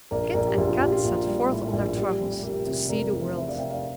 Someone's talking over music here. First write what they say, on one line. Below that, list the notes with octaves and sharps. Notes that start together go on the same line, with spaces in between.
Kit and Kat set forth on their travels, to see the world.
A#1 A#4 D5
A#1 A#4 D5
G4
A#1 F4
F4
A#1 G4
F4
A#1
G3
A2
A#1
G3 G4
F1
F1 G4 A#4
C3
F1 A#4 D5
E2
C3 C5 E5
D5 F5
C3 E5 G5
D5 F5